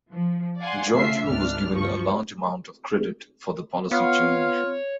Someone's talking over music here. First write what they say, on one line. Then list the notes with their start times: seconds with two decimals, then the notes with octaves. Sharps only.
Georgiou was given a large amount of credit for the policy change.
0.12 F3
0.59 D5 F5 F#5 G#5 C6
0.94 C#3 A3 F4 E5 C7
1.25 G#1 C#2 D4 F6
1.74 G1 F3 C#6
3.91 B3 F4 C#5 F5